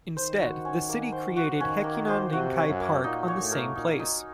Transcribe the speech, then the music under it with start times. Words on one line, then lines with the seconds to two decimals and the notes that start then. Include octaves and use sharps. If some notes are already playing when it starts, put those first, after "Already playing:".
Instead, the city created Hekinan Rinkai Park on the same place.
0.17 D#3 C5
0.41 F#4
0.65 C#4
0.89 A#3
1.12 C5
1.36 F#4
1.60 D#3 C#4
1.84 A#3
2.08 C5
2.32 C3 F#4
2.56 C#4
2.68 F#2
2.80 A#3
3.03 A#2 D#4
3.28 C#5
3.39 A2
3.52 A#4
3.75 A#2 D#4
3.99 D#4